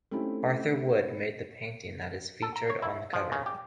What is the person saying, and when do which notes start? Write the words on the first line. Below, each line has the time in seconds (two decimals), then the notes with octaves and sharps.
Arthur Wood made the painting that is featured on the cover.
0.11 A3 C4 C#4 D#4 E4 G4
2.42 A4
2.56 A#5
2.70 C#5
2.82 E4
3.13 F3
3.32 C#3
3.46 G4